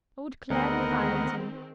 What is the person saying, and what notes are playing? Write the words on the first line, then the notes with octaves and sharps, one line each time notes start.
I would gladly finance him.
D2 D#3 G#3 B3 C4 A#4 D#5 F#5